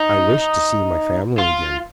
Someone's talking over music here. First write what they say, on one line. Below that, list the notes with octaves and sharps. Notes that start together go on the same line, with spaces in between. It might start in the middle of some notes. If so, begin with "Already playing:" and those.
"I wished to see my family again."
Already playing: D#4
F4